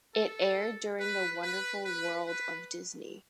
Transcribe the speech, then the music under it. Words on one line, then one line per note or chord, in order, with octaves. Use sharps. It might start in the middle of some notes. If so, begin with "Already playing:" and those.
It aired during The Wonderful World of Disney.
A4
B4
B4
B4
B4